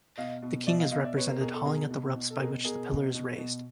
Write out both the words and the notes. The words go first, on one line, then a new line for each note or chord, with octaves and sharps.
The king is represented hauling at the ropes by which the pillar is raised.
B2 D#5 F5
B2
B2 D5 E5
D#5 F5
B2 D#5 F5
D5 E5
B2 B4 C#5
A#4 C5
B2 G#4 A#4
A4
B2 G#4 A#4
B2
B2
A4
B2 G#4 A#4
B2 G#4 A#4
B2
B2
B2